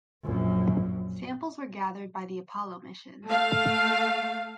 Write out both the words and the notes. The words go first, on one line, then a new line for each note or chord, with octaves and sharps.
Samples were gathered by the Apollo missions.
A#1 F#2
A3 F5